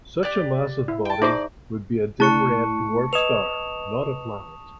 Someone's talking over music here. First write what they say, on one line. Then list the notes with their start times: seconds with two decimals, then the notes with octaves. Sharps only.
Such a massive body would be a dim red dwarf star, not a planet.
0.23 G4 D5 F#6
0.88 E4
1.05 G5 A5
1.22 D#4 G#4 C5 D5 E5 D6
2.20 A3 E4 A5 C#6 F#6 C#7
3.13 B4 D#5 D#6 E7 F7